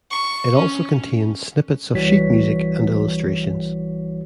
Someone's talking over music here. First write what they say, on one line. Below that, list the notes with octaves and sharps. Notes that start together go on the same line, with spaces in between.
It also contains snippets of sheet music and illustrations.
C#6
C#4
C2 E3 G3 F#4 C#5 B6